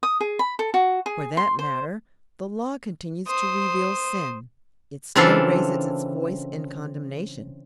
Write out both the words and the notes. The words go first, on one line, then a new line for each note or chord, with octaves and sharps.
For that matter,--the Law continues to reveal sin. It still raises its voice in condemnation.
D#6
G#4
B5
A4
F#4
G#4
C6
C5
C5 D#6
C#3 E3 C4 D4 F4 A4